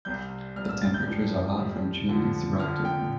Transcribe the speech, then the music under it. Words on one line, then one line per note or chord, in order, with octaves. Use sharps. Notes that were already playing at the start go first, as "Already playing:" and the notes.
The temperatures are hot from June through October.
C2 C3 G3 G6
C2 C3 G3 F6
E6
A6
G6
F2 E3 G3
F2 E3 G3
F2 D3 F3
F2 D3 F3 F6
G5